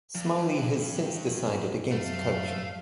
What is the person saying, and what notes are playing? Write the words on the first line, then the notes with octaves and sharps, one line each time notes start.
Smiley has since decided against coaching.
G2 F3
F#2 A3 F5